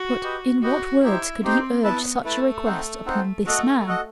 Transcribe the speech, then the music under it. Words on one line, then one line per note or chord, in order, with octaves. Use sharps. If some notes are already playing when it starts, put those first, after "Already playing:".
But in what words could he urge such a request upon this man?
Already playing: F#4
G4 B4 D#5
F#4 G4 B4 D#5
D#4 E4 G4 C5
C4 D#4 G4 C5
B3 E4 B4 E5 A5
A3 E4 B4 E5 A5
C4 D#4 A4 C5 F#5
C4 D#4 A4 C5 F#5
A3 F#4 A4 D#5 F#5
F#4 A4 D#5 F#5